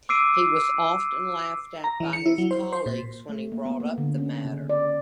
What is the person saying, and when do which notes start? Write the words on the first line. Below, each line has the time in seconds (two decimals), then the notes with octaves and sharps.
He was often laughed at by his colleagues when he brought up the matter.
0.09 D6 E6 C7 D7 D#7
1.84 A#5
2.00 E3
2.13 C#7
2.26 E4
2.38 F#3
2.51 C5
2.73 C5
2.86 A#2
3.29 A3
3.52 A#3
3.65 B3
3.80 A#3
3.98 D3
4.18 C#4
4.45 C#3
4.69 D5